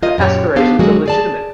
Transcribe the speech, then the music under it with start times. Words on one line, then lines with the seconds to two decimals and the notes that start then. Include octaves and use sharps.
Her aspirations are legitimate.
0.03 F4 A#4 D#5
0.18 F#2 A#2 G4 C#5
0.56 B3 D4 G4 A4 C5 F5
0.79 F#3 G#3 A#3 F#4 G#4
1.06 G#4 D5 A5